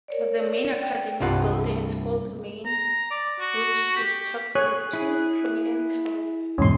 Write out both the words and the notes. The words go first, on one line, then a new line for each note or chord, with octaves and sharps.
The main academic building is Old Main, which is topped with two prominent towers.
A#4 C#5 D5
G5
C2 G2 F4 F#5
A#5
D5
F#4
G4
G#4 C#5 F#6
E4 G#4
E2 G#2 B2 C#4 C6